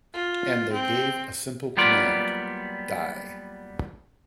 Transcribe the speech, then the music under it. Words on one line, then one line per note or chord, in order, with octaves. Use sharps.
And they gave a simple command: Die.
F4
C4
F#3 G3 A#3 B3 F4 D5